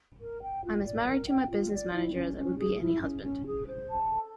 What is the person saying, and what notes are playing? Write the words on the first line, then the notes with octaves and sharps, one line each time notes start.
I'm as married to my business manager as I would be any husband.
A#4
G5
F4
D5
A#4
G5
F4
D5
E4
C#4
C#4
G#4
E4
C#4
C#4
G#4
C5
A5
A4